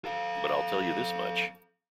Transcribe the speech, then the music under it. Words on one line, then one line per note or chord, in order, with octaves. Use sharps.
But I'll tell you this much.
A4 F5